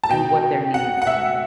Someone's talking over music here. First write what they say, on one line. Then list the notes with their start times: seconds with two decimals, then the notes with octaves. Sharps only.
and what their needs are.
0.04 A5
0.09 B2 G5
0.74 F#5
1.02 F#5
1.07 E5